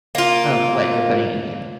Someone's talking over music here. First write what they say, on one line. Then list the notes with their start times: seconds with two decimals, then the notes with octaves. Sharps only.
of what you're putting in there.
0.15 A#3 F4